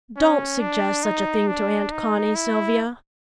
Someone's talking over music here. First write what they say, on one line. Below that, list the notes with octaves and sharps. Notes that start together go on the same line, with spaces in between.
"Don't suggest such a thing to Aunt Connie, Sylvia."
C#4
D4
D#4
D4
D#4
E4